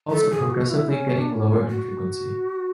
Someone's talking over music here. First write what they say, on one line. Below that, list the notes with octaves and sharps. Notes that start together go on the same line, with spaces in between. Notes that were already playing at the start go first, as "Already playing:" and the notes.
Calls are progressively getting lower in frequency.
A4
G#4
F#4
E4
C#4
D4
C#4
F#4